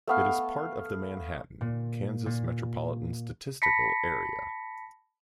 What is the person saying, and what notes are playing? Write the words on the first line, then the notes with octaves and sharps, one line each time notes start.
It is part of the Manhattan, Kansas Metropolitan Statistical Area.
A3 B3 F5
A#2
A#2
A5 B5 A#6 B6 C#7